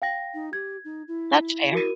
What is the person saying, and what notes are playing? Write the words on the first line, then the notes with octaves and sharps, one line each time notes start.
That's fair.
F5 G5 A#6
D#4
G4 G#6
D#4
E4
F#4 A#4 D#7